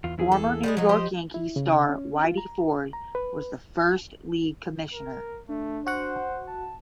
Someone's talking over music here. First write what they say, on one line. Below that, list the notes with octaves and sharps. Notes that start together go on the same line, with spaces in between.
Former New York Yankees star Whitey Ford was the first league commissioner.
E2 F4
E2 E4 G#4
A4
G3 G#3 G#4 D5
F3 F#3 D#4
G4 C5 D#5
E4
C#3
C#4
F4
A#5
A#5
B4
A#4
A3 D4
F#4 C5 F#5
A5